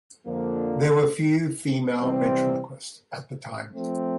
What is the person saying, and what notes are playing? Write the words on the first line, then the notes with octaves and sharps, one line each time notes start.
There were few female ventriloquists at the time.
F2 D3 F3 A#3 D4
C3 E3 G3 C4
F3 A3 C4